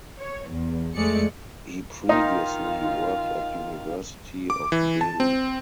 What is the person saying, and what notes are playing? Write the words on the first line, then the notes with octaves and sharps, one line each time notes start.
He previously worked at University of Delhi.
C#5
E2
F2 G#3 A3 D5 C#7
D#3 D#4 F4 F5 C6
D6
E3
A5
C4